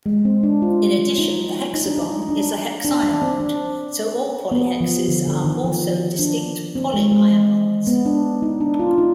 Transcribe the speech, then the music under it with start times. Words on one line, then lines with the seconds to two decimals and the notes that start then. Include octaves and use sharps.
In addition, the hexagon is a hexiamond, so all polyhexes are also distinct polyiamonds.
0.06 G#3
0.25 C4
0.43 D4
0.62 F4
1.18 D#4
1.74 D#4
1.86 D4
1.98 D#4
2.29 D4
2.85 D4
3.03 D4
3.22 C4
3.40 D4
4.51 B3
4.80 F3
5.08 D3
5.27 D3
5.44 D#3
5.64 F3
6.19 D4
6.75 C4
6.94 G#3
7.12 G#3
7.87 B3
8.06 D4
8.42 D#4
8.61 D4
8.79 F4
8.98 D#4